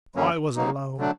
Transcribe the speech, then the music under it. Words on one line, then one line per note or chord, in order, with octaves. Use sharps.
I was alone.
F#2 D3 F#3 A#3 C#4
C#3 F#3 A#3 D#4
D3 F#3 A3 D4